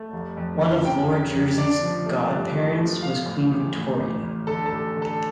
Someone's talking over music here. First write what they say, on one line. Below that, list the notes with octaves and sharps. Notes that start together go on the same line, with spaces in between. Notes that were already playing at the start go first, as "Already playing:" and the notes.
One of Lord Jersey's godparents was Queen Victoria.
Already playing: A3
F1
F2
F1
F1 G5
F1
F1
D4 D5
F3
A3
G2
A3
F3
F3 F5
A2
A1
A2
A1
A1
D3 A4
A4
A1
D3
A4